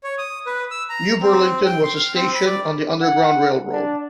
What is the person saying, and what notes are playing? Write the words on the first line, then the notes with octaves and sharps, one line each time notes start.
New Burlington was a "station" on the Underground Railroad.
C#5
D#6
B4
E6
A#5
C4
G5
C6
F6
C4
B5
D5
F#5
D4